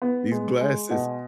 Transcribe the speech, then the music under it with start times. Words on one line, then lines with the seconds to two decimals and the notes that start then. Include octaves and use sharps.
These glasses
0.02 B3
0.32 G#3
0.61 G#3
0.90 B2